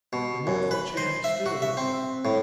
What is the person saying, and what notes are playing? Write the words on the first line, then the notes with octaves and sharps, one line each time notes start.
The mournful chant still went on.
B2
F#2
B4
C5
E5
F#4
E5
C4
A2